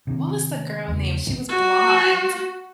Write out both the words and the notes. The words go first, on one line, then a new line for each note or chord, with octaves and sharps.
what was the girl name? She was blonde.
C3 D#3
E2 C#3
F#4